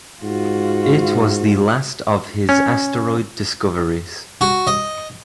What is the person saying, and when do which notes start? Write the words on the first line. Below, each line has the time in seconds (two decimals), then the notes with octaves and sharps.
It was the last of his asteroid discoveries.
0.23 G#2 F4 F#4
2.49 C#4
4.41 F#4
4.67 D#5